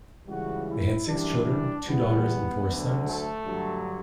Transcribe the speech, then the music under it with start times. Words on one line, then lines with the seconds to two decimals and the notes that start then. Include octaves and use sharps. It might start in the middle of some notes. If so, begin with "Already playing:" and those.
They had six children: two daughters and four sons.
0.27 C#2 C#3 E3 G3 F#4
0.67 E4
1.07 F#2 E3 G3 D4
1.86 E2 C#3 E3 G3 B3
2.66 D2 D3 F#3
3.06 A3
3.45 G2 D3 F#3